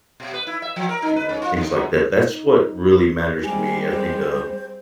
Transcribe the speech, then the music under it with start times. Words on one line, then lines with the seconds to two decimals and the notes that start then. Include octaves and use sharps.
You know, things like that that's what really matters to me, I think, um,
0.20 B2
0.34 B4
0.47 E4
0.62 E5
0.76 F3
0.89 A#4
1.02 D#4
1.16 B4
1.29 C#4
1.42 F4
1.57 D3
1.70 F#2
2.20 D#4
3.45 G3 G#3 C4 G#5
3.91 C5